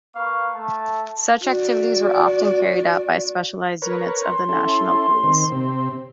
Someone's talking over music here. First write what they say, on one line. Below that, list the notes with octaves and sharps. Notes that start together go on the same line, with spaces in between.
Such activities were often carried out by specialized units of the National Police.
A#3 B4 F5 C#6
A3 A5
F#4 D5
A#4 B4 C#5
C6
C#4 E4 A4
D#3 C4
C3 C4